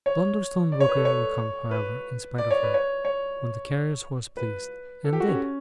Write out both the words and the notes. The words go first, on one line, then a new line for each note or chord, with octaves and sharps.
Blunderstone Rookery would come, however, in spite of her, when the carrier's horse pleased--and did.
C#5
D5
C#5
B4
A4
C#5
B4
D5
C#5
B4
C#5
C#5
B4
A4
G4
F#4
C#4